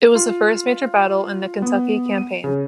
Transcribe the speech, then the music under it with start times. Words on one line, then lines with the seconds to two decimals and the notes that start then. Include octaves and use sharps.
It was the first major battle in the Kentucky Campaign.
0.15 F4
1.62 B3
2.18 D#7
2.44 C#3